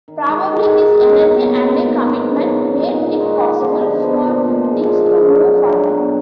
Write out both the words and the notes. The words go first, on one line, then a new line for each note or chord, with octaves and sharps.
Probably his energy and commitment made it possible for things to move forward.
D#3
G#3 D#4 F#4
D#3
G#3 D#4 F#4
B2
F#3 A#3
B2
F#3 A#3
G#2
F#3 B3
G#2
F#3 B3
A#2
G#3 D#4 F#4
A#2
G#3 D#4 F#4
D3
F3 B3
D3
F3 B3
A#2
F3 G#3
A#2
F3 G#3
D3
F#3 D4 F#4
D3
F#3 D4 F#4
B2